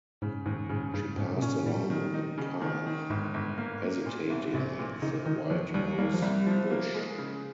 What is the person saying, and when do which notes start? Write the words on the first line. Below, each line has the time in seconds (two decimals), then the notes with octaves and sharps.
She passed along the path, hesitating at the white rose-bush.
0.22 G#2 C#3
0.46 D#2 G#2
0.69 G#2 C#3
0.94 G2 C#3
1.17 G#2 C#4
1.37 C3
1.42 A#2 C#4
1.66 A#2 G3
1.90 D#3
2.14 D#4
2.38 C#3
2.61 D#3
2.86 D#3
3.10 G1 G#2
3.34 G1
3.58 A#3
3.83 A#3
4.06 A#2
4.30 C2
4.54 A#1 C3
4.79 A#2
5.02 C#3 D#4
5.26 D#3 D#4
5.50 D#2 F3
5.74 D#2 G3
5.98 G3 A#3
6.14 F3
6.22 C2 G3
6.46 F3
6.70 A#3
6.94 G#3
7.18 C#3